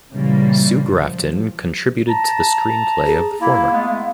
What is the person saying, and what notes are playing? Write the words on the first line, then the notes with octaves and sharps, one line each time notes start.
Sue Grafton contributed to the screenplay of the former.
A#2 C#3 E3 G3 A#3
F3
A5 A#5
G#4
A#3 E4 F5
G#3 A3 B3